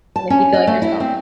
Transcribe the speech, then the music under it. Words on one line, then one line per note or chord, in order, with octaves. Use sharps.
that make you feel like yourself?
A5
C#4
D#5
A3
E4
C4